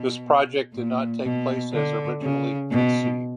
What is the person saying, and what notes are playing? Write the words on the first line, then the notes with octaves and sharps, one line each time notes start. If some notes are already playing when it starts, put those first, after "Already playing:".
This project did not take place as originally conceived.
Already playing: B2
A#2
B2
D3
C#3
B2